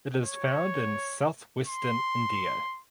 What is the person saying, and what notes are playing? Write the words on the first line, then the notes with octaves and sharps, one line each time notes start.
It is found in southwestern India.
C#5
C6